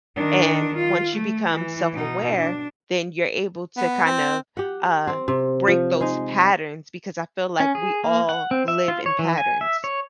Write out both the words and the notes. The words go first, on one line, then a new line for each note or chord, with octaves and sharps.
and once you become self-aware, then you're able to kind of, uh, break those patterns because I feel like we all live in patterns,
D#3 D4
F4
A3
E3
B2 D#4
D4
B3
C4
G4 F#5
C4
C3
F3
G#3 D#4
C#4
G#4
A#3
F#5
C4
E5
F4
C#5
E3
G#5
E5
C#5